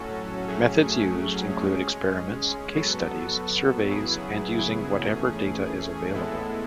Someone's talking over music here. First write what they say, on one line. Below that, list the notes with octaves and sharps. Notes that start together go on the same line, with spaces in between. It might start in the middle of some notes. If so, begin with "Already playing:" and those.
Methods used include experiments, case studies, surveys, and using whatever data is available.
Already playing: A2 F#3 C#4 F#4 A4
A2 F#3 A3 C#4 G#4
G#3 C#4 G#4
F#3 B3 F#4 A4
C#3 F#3 B3 E4 G#4
E3 A3 C#4 G#4
A2 G#3 B3 E4 A4